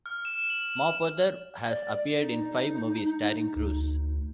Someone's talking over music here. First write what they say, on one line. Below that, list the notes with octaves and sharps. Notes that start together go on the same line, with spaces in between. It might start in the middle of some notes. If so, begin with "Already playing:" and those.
Mapother has appeared in five movies starring Cruise.
F6
E7
F#7
D5
D#4
D2